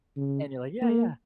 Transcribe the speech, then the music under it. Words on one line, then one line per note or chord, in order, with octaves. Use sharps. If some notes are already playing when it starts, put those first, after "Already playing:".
and you're like, "Yeah, yeah,
C#3
A#3